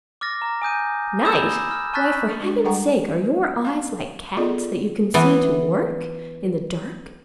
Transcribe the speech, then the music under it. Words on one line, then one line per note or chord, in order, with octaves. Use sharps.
"Night!--why, for heaven's sake, are your eyes like cats', that you can see to work in the dark?"
D6 F6 A6 A#6
A#5
G#5 D#6 G6 D#7
B5 D#6 E6 G6 G#6 E7
F6
A5 C#6 F6 F#6 A6 B6
G#3 D4 F#4
G3 A4 F#5 G5 A#5 C#6
F5 A5
B3 F4 G#4 A4 D5 D#5
E3 B3